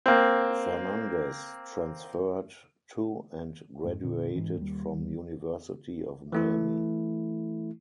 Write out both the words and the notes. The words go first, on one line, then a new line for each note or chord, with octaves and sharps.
Fernandez transferred to and graduated from University of Miami.
A#3 C4
F2 G#2
A#2 D3
G#2 E3
D#2 G3
E3 A3 E4